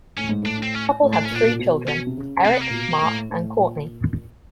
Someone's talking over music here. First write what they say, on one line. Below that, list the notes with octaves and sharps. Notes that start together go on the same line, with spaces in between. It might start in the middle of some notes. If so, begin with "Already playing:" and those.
The couple had three children, Eric, Mark and Courtney.
A2 C#4
G#2
A2 D4
C4
C#4
A2
D4
C#4
A#2
B2 D4
A#2
B2
B2 C#4
C3
C#3
C#3
C3 A#3
B3
A#3
A#2
B2
A2
A2
A#2